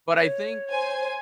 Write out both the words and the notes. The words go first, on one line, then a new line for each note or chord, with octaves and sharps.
But I think
C#5
C5 G#5